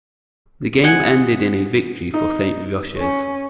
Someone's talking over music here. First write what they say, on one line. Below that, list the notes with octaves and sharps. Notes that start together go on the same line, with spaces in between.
The game ended in a victory for Saint Roch's.
D#5 F#5 G#5
D#4
C#4